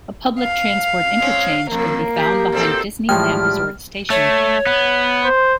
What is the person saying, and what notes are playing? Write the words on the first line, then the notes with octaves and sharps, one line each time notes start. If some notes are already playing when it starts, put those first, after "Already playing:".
A public transport interchange can be found behind Disneyland Resort Station.
F5
G#3 C4 C#4
F2 A#3
G4 G#4
A#2 C4 A4
A2 F3 G3 G#3 G5 F6
A3 C#5
B3
C5